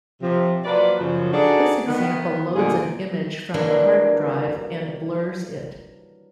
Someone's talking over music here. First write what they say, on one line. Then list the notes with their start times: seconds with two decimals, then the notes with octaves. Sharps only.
This example loads an image from the hard drive and blurs it.
0.22 C3 F3
0.64 F3 F#3 A#3 B4 D5
0.99 F#2 C#3 F3
1.32 D4 D#4 F#4 G#4 A4 D5
1.87 D#3 B3
2.55 D#2 A#2 D3 D#4 F4 G#4
3.54 D#3 E3 F#3 G3 A#3 D4